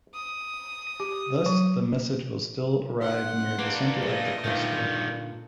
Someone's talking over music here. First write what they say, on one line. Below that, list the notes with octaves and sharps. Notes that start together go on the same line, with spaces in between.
Thus, the message will still arrive near the center of the cluster.
D#6
G4
F#3
D#4 F#5 C6
A#3 D4 B4
A3 F4 D#5
G2 A#2 D3 D#3 F4